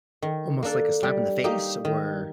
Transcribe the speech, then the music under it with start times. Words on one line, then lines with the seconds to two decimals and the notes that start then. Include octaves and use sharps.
almost like a slap in the face or,
0.22 D#3
0.63 A#3 D4 A4
1.03 G3
1.44 A#3 D#4 G4
1.85 D#3